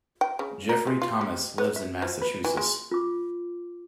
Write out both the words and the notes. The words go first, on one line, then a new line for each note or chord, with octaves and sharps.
Jeffrey Thomas lives in Massachusetts.
G5
C#3
A#4
G#3
F4
G4
B3
E5
F3
B4
E3
G#3
F4 D6